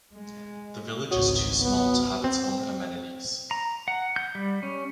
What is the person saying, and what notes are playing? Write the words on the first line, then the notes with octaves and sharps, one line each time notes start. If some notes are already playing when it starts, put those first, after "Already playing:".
The village is too small to have its own amenities.
G#3
G#1 C#2 F#4 C#5 D#6
B3
C4
A#5
F#5
G6
G3
C#4